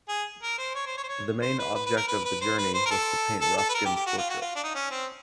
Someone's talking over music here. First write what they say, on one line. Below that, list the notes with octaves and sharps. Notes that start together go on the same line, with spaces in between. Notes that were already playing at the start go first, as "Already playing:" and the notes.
The main object of the journey was to paint Ruskin's portrait.
G#4
A#4
C5
C#5
C5
C#5
C5
C#5
C5
B4
B4
B4
A#4
B4
B4
C5
B4
C5
A#4
A4
A4
A4
B4
A#4
G4
G4
F#4
F4
F#4
F4
D4
D#4
C#4
C4